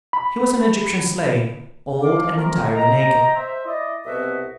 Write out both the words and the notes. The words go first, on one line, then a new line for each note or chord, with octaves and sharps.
He was an Egyptian slave, old and entirely naked.
B5
F#2 F5 D6
A3 C4 F4 A#4
D#5 G5 A#5
C5 E5
E4 D5 D#5
C2 B2 C4 F#4 D#5 E5